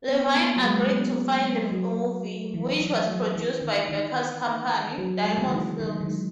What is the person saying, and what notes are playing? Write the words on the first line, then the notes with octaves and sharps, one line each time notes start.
Levine agreed to fund the movie, which was produced by Baker's company, Diamond Films.
B3
C#4
B3
A#3
F#3
G#3
F#3
E3
E3
F#3
E3
D#3
D#3
F#3
G#3
C#3
D#3
E3
D#3
D#3